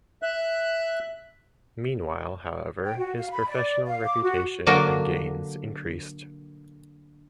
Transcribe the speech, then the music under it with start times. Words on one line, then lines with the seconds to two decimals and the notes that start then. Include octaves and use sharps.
Meanwhile, however, his professional reputation and gains increased.
0.22 E5 F#6
2.85 G5
2.97 F#4
3.18 F5
3.30 B5
3.49 D5
3.86 F5
4.05 D6
4.22 F#4
4.67 D3 F#3 A#3 D4 A#4